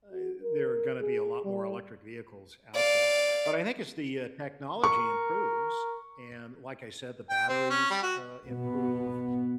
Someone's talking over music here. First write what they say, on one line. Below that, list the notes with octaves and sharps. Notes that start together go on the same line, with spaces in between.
uh, there are gonna be a lot more electric vehicles out there. But I think as the, uh, technology improves, and like I said, the batteries, uh, improve,
F#4
A#4
G#4
G3
D5 F5
A#4 C#6
G5
C4
C#4
G3
F#4
B2 B3